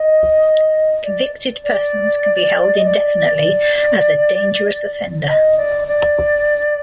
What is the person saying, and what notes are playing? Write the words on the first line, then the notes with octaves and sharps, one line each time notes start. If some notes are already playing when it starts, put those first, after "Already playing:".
Convicted persons can be held indefinitely as a "dangerous offender".
Already playing: D#5
D5
D5
D#5
D5
D#5
D5
D5